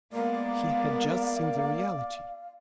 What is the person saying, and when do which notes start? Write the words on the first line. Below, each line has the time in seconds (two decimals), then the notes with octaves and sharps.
He had just seen the reality.
0.13 G#3 A#3 B3 D5 F5